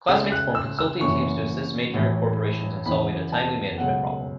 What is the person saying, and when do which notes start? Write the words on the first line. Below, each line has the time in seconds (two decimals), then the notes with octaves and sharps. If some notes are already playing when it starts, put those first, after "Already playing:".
Classmates form consulting teams to assist major corporations in solving a timely management problem.
0.09 C#2 C#3 A3 E6
0.32 F#6
0.55 E6
0.79 E6
1.01 F#1 F#2 E3 C#6
1.94 A1 A2 E3
2.86 E2 C#3 E3 B3 B5
3.32 A5
3.78 C#2 B2 F#3 A3 F#5